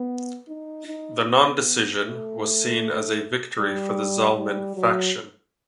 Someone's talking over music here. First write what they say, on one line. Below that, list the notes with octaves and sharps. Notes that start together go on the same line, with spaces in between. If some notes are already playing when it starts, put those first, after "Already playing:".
The non-decision was seen as a victory for the Zalmen faction.
Already playing: B3
D#4
D#4
B3
A3
G3
G3
F#3